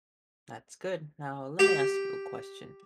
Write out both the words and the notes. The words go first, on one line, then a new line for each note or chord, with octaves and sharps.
That's good, now let me ask you a question.
G4